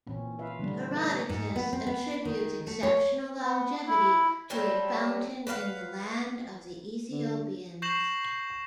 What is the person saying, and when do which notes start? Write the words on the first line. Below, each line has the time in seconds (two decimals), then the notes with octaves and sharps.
Herodotus attributes exceptional longevity to a fountain in the land of the Ethiopians.
0.07 A#2 E3 C4 C#4
0.39 F4 B4 E5 F5
0.59 D3 E3 G3 A3 B3 D4
0.94 A3 D#4 A4 B4 F5
1.09 G4 C#5
1.29 G#2
1.56 B3
1.73 C4
1.87 B3
2.25 D#3
2.67 A3
2.83 C#5
3.42 B3
3.87 E4
4.50 F#3 G3 A3 C4
5.47 B4 C#5 F5 F#5
7.11 D3
7.82 C#6 G6 A#6 C7 E7 F#7